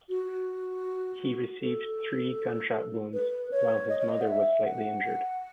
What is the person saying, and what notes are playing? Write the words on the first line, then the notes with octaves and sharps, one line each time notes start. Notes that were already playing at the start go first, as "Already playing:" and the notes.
He received three gunshot wounds while his mother was slightly injured.
F#4
A4
B4
C#5
D#5
C#5
D#5
F#5
E5
F#5